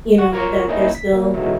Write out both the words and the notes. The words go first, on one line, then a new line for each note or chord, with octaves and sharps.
you know, that they're still
F#5 C#6
F4 A#4 C#5 A#5 C#6 D6
A#3 C#4 D#4 E4 D#5
B6
F#3 A#3
B2 E3 F#3 G#3 A3 D#4